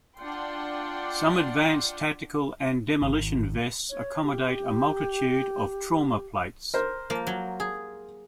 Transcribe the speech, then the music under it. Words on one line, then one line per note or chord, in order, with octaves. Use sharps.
Some advanced tactical and demolition vests accommodate a multitude of trauma plates.
D4 F4 D5 F#5 G5 C6
G#1
C#5
G4
A#4 C5
F3 A#3
F#3
G#4